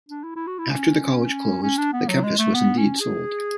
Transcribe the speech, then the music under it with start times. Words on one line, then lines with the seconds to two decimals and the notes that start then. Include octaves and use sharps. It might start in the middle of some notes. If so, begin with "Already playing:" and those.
After the college closed, the campus was indeed sold.
0.09 D4
0.24 E4
0.36 E4
0.47 F#4
0.59 E4
0.70 C#4
1.63 C#4
1.78 D4
1.93 B3
2.08 F#3
2.23 G#3
2.39 A3
2.55 B3
2.78 C#4
3.00 G#4